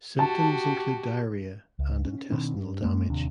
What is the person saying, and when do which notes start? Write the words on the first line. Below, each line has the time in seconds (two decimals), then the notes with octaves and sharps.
Symptoms include diarrhea and intestinal damage.
0.19 F#4 G4 A5
1.79 C#2
2.05 C#4
2.30 B2 D#3 C4 D4
2.54 G2
2.82 F#2 G#3 A#3 C#4
3.10 D1 D#2 C3 D4